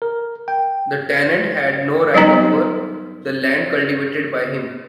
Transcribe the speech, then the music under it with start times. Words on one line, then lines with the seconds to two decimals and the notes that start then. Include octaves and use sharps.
The tenant had no right over the land cultivated by him.
0.02 A#4
0.48 G5
2.14 F#3 G3 B3 D#4